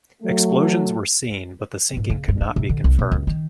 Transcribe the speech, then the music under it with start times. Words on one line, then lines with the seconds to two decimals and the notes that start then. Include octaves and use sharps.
Explosions were seen, but the sinking could not be confirmed.
0.23 F#3 A3
1.97 G#2
2.10 C#3
2.28 G2
2.41 D4
2.56 C3
2.69 D3
2.84 C2
2.99 B2
3.12 C#2
3.27 D#3